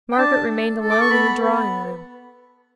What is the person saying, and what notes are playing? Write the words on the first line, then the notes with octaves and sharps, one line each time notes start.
Margaret remained alone in the drawing-room.
G5
D4 A5
A4
A4
D6
C#6
B3 B5
B3